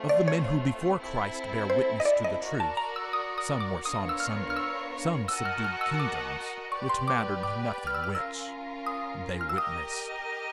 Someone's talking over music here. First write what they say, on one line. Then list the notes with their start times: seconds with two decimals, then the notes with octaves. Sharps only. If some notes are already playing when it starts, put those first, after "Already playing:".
Of the men who before Christ bare witness to the truth, some were sawn asunder, some subdued kingdoms; it mattered nothing which: they witnessed.
Already playing: A3 C4 F4
0.09 D5
0.28 C#5
0.98 C4 E4 A4
1.70 C5
2.00 D#5
2.05 D5
2.24 D#5
2.42 F#4 A#4 D5
2.60 A5
2.77 A#5
2.96 E6
3.13 D#6
3.38 D#6
3.60 D6
3.84 B3 D4 F4 A#4 C#5 D#6
4.09 E6
4.20 F6
4.50 F6
4.57 E6
5.28 F#4 A#4 D#5 F#5 A5 E6
5.45 F6
5.64 F6
5.81 E6
6.00 D6
6.71 G4 B4 D5 C#6
6.89 C6
7.08 D6
7.43 D6
7.87 F6
7.94 E6
8.04 F6
8.15 C#4 F4 A#4 E6
8.86 D#6
9.41 F6
9.49 E6
9.57 G4 A#4 D#5 D#6